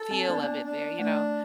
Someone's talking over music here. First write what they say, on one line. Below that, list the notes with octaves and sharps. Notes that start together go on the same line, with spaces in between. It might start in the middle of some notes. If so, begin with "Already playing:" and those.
feel of it there you know?
Already playing: A4
C4
A#3 D4
B3
A#3
D4
A3 D4